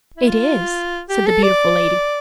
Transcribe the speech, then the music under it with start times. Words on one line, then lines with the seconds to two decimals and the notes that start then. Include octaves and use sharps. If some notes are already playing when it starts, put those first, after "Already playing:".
"It is," said the beautiful lady.
0.17 E4
0.28 F4
1.09 G4
1.27 A4
1.43 D5